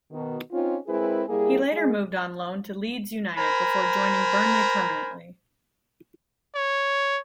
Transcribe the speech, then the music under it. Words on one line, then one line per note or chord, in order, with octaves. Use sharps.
He later moved on loan to Leeds United before joining Burnley permanently.
B2 D#3
C4 C#4 D#4 F4
G#3 C4 E4 G#4 A#4 B4
G3 A#3 E4 G#4
G#3
A#4 C5 G#5 A#5 B5
C#5